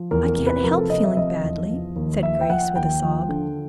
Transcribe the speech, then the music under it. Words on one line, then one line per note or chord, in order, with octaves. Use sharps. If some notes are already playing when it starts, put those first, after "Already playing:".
"I can't help feeling badly," said Grace, with a sob.
Already playing: F3
E2 A#4
A#4
C3
B4
F3 A#4
A4
C3 D#5
E5
F3 D#5
E2
F3
D#2
F3 E5
G5
F3 F#5
D#2 G5
F3
D3